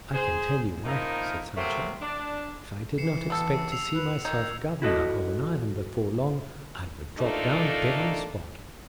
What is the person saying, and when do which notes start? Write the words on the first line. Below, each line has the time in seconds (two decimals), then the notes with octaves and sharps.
"I can tell you, wife," said Sancho, "if I did not expect to see myself governor of an island before long, I would drop down dead on the spot."
0.14 G#4 C5
0.85 D#3 F3 A#3 D#4 E4 A#4
1.57 C3 F#3 A3 A#3 C4
2.01 D4
2.98 E3 C7 C#7 E7
3.30 B3 A4
3.53 E6
3.72 E6 C7 F7
3.93 B4
4.25 D#3 D#4 A#4 G#6
4.82 E4 F#4 A4 D#5
7.19 A3 A#3 D4 D#4 F4 A4